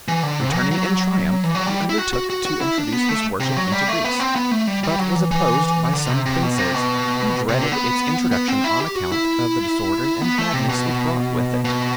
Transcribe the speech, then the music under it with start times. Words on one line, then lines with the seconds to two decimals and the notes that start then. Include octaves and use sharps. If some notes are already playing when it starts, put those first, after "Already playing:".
Returning in triumph, he undertook to introduce his worship into Greece, but was opposed by some princes, who dreaded its introduction on account of the disorders and madness it brought with it.
0.08 E3
0.23 D3
0.40 C3
0.55 F#3
0.71 F#3
1.44 E3
1.55 F#3
1.67 G3
1.89 E4
1.98 F#4
2.13 F#4
2.30 F#4
2.45 F#4
2.61 E4
2.78 D4
2.92 B3
3.09 A3
3.40 C3
3.57 F#3
3.72 G3
3.88 A3
4.05 B3
4.20 C4
4.36 B3
4.51 A3
4.67 G3
4.84 G3
4.99 F#3
5.16 E3
5.31 E3
5.94 D3
6.10 C3
6.26 C3
6.42 B2
6.58 C3
6.74 B2
7.49 C3
7.61 D3
7.72 B3
8.31 B3
8.48 C4
8.64 E4
8.80 G4
8.95 F#4
9.12 E4
10.22 B3
10.38 A3
10.54 C3
10.69 B2
11.65 B2